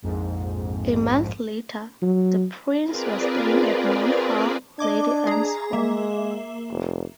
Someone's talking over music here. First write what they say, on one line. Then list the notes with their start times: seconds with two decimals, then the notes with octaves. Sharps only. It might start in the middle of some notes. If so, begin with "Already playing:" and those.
A month later the Prince was staying at Moy Hall, Lady Anne's home.
0.02 A#1 F2 G#2
2.02 F#3
2.84 C4 F4 G#4 A#4 B4 D5
4.79 D4 D#5 D6 G#6
5.27 G#4 A#5
5.73 G#3 A#3 E5
6.71 F1